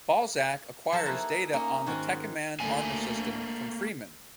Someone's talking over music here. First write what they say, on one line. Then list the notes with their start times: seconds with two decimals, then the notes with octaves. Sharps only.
Balzac acquires data on the Tekkaman armor system from Freeman.
0.93 F3 F#3 A4 C5 C#5 A5
1.05 A#3 D#4 E4 G#4 A4 B4
1.53 A#3 C#4 D#4
1.86 G#2 D#3 G#3 C#4 F#4
2.60 D2 A3 A#3 G#5